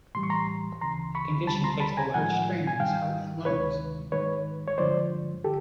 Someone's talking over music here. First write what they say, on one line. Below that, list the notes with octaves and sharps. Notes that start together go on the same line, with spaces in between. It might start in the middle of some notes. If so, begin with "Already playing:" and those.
The condition placed a large strain on his heart and lungs.
A2 E3 G3 C6
C#6
A#5 C6
D2 C#3 E3 A#5 C6
B5 C#6
D2 D3 G3 A5 B5
A#5 C6
A5 B5
G#5 A#5
A2 F3 G#3 F#5 G#5
G#5
G#2 D#3 G3 F5 G5
D2 C3 D#3 G#3 B4 C#5
G#2 D#3 G#3 B4 C#5
C#5
G2 D3 F3 G#3 C5 D5
D3 G4 A4